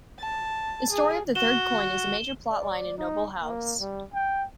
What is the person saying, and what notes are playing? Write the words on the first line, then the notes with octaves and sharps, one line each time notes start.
The story of the third coin is a major plot line in "Noble House".
A5
G#4
F#4 E7 G7
D5
D#4
A#3
G3
G5